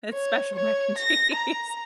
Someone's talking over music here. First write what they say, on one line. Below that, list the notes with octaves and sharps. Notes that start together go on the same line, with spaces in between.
It's special mac and cheese.
C#5
C#5
A#6
A#5